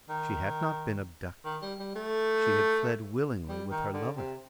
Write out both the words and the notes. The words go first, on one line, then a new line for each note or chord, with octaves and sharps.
She had not been abducted--she had fled willingly with her lover.
D#3
D#3
G3
G3
A3
G3
D#3
D3
C3